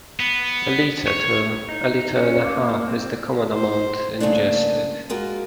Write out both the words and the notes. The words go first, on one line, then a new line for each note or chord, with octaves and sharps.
A litre to a litre-and-a-half is the common amount ingested.
B3
C#5
D#4
C#4
A#3
C4
C5
G2 C#3 A3 A#3 D4
G#3 F4 F#4 A#4